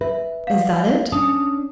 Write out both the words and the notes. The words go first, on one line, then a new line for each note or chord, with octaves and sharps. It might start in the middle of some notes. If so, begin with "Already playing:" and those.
Is that it?
B4 E5
F5 F#5
C#4 D4 A5 D#6